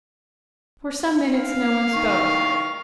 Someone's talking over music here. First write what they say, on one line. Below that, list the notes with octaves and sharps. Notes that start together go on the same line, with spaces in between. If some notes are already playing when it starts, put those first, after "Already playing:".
For some minutes no one spoke.
F5
D#3 C#6